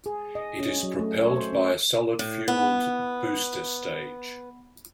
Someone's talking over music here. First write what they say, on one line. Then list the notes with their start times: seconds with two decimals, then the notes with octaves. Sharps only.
It is propelled by a solid fuelled booster stage.
0.06 G#4
0.35 D#5
0.60 C#4
0.83 F#3
0.99 A3
1.21 C#5
1.36 C5
1.53 C#4
2.19 A2
2.48 B3